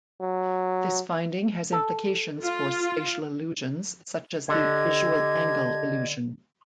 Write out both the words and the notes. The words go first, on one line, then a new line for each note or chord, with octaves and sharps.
This finding has implications for spatial illusions such as the visual angle illusion.
F#3
A4
F4
D3 G4 D#5 G#6